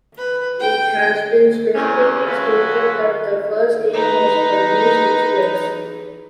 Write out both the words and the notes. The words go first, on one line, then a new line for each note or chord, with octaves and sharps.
It has been specifically stated that the first aim was for use with Flex.
B4
G5
E2 C3 C#4
F#3 G#3 A3 F4 F#4 B4
D#4 B4